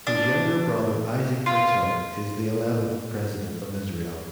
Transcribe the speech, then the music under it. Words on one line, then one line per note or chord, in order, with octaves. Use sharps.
His younger brother Isaac Herzog is the eleventh President of Israel.
D4
F4